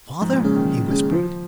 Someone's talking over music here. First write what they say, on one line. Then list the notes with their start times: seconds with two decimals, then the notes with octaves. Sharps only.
"Father!" he whispered.
0.22 G#2 F3
0.33 A#2
0.44 C#3 G#3 C#4 G#4
0.56 D#3
0.66 F3
0.88 G#3 C#4 G#4
1.11 C#3 F3